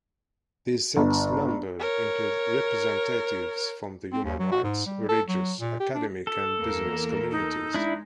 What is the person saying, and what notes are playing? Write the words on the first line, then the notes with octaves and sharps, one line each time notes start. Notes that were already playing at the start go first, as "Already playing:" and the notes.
These six members include representatives from the human rights, religious, academic, and business communities.
G1
A#4 C#5
C4
D#2
F#3
F#4
G#2
G3
A4
F#3
A#2
G4
D4
A4
E2 A#3 A#4
D#4
G#3 D4 E4